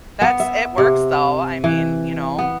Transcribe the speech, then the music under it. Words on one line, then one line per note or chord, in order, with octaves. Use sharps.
That's it works, though, I mean, you know,
B3
E5
C3
E3
B3